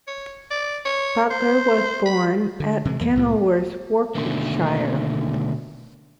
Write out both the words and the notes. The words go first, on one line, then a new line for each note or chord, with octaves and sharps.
Butler was born at Kenilworth, Warwickshire.
C#5
D5
C#5
C5
B5
D3
C3 E3 F#3 G#3
F2 E3 A#3 B3
C2 A2 C3
B2 D3 D#3 A3 A#3